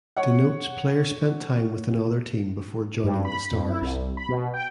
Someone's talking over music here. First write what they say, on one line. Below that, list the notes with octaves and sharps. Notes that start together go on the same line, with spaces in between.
Denotes player spent time with another team before joining the Stars.
C#5 F#5
G2
B5
F2
E4
C2
B5
B2
G5